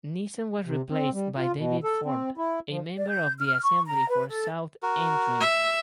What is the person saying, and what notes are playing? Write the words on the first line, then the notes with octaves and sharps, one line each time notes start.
Neeson was replaced by David Ford, a member of the Assembly for South Antrim.
C3
C4
G3
F4
B2
A4
C4
E4
F3
D5
G6
F6
C#6
A#5
B4
A4
F#4 A#4
E5